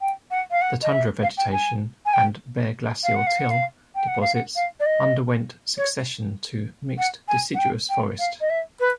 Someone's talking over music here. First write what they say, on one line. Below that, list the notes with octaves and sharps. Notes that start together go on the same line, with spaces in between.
The tundra vegetation and bare glacial till deposits underwent succession to mixed deciduous forest.
G5
F#5
F5
F#5
D#5
E5
F5
G5
G#5
G#5
G5
F5
F#5
F5
F#5
F5
G5
F#5
F5
F#5
F5
D5
D#5
C#5
F#5
G#5
F#5
G5
G5
F5
D#5
E5
B4